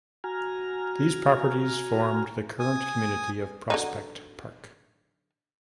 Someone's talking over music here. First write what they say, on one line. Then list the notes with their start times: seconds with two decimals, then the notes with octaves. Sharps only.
These properties formed the current community of Prospect Park.
0.24 F#4 G#5 A#5 F6
2.59 G#5 D#6
3.70 D3 F#3 D#4